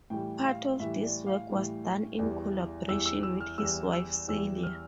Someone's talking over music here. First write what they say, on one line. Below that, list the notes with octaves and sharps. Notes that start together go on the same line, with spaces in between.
Part of this work was done in collaboration with his wife, Celia.
A2 E3 G3 G5
F5
A2 E3 G3 E5
D5
F5
A2 E3 G3
E2 E3 G3
E2 E3 G3 E6
E6
E6
F6
E2 E3 G3 E6
E6
E2 E3 G3 E6
F6